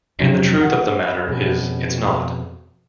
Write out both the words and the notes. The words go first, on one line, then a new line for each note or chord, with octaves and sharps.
And the truth of the matter is, it's not.
F2 C3 F#3 C#4 D#4
F#5
F2 B2 C#4 G#4